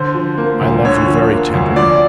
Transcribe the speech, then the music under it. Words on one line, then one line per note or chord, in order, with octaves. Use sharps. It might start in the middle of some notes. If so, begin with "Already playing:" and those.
I love you very tenderly.
Already playing: D3 C5
F3
A#3
D2
D3 C#5
F3
A#3
D2
F3 D5